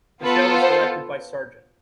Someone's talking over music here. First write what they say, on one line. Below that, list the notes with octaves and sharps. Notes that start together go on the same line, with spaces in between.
The show was directed by Sgt.
B3 F4 A4 B4
C5